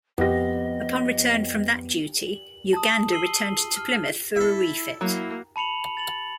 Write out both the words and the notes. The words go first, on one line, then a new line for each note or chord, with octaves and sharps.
Upon return from that duty "Uganda" returned to Plymouth for a refit.
F2 B3 G4 D#5 A#6
F#7
A5 D#6
E6 C7 D#7 F#7 G7
F6
E4 A4 E5
F#3 A#3 E4
A5 B5 C#7 F7 F#7
A6 F7 F#7